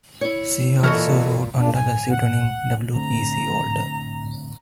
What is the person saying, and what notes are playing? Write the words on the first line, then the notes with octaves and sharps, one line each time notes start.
She also wrote under the pseudonym W. E. C. Walter.
E4 C#5
A#2 E3 F#4 A4 D#5 F6
A#2 C#3 D4
G#5
F#5
D3 A3 C4 A#5